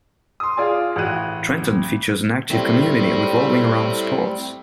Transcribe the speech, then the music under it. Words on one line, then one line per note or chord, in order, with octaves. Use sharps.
Trenton features an active community revolving around sports.
C6 D#6
F4 G#4 D5 G#5
A1 F#4 F#6 D#7
G3 A3 C4 E4